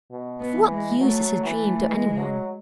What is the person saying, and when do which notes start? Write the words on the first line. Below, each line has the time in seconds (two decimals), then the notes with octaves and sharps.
Of what use is a dream to any one?
0.11 B2
0.40 B3
0.55 E3
0.70 G#3
1.00 F#3 A3
1.44 E3 A3
1.88 E3 G#3
2.18 F#3